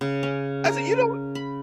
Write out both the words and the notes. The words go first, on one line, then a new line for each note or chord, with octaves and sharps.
said, "You don't"
C#3
C#4
A#4
B5